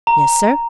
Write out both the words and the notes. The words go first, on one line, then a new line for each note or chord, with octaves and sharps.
"Yes, sir."
A#5